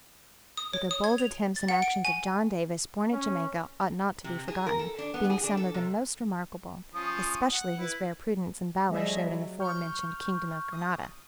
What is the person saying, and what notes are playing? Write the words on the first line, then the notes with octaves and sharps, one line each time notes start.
But the bold attempts and actions of John Davis, born at Jamaica, ought not to be forgotten, being some of the most remarkable; especially his rare prudence and valour showed in the fore-mentioned kingdom of Granada.
D#6
C#5
D#6
G#6
F7
A6
F#5
D7
G#5
C#4
C3
G#4
A#4
A4
D4
B3
G#4
D4
A4
C3
F3 C#4 D#6
F#5
E4 B4
F3 G3 A3 G#4 D#5 E5
F#3
C#6 F6 G6
D#6